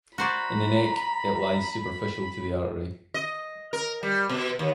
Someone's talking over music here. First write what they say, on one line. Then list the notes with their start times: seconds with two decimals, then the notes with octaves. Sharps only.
In the neck it lies superficial to the artery.
0.18 F#4 C5 D5 A#5 B5
3.14 D#5
3.73 A#4
4.03 G3
4.29 B2
4.59 D#2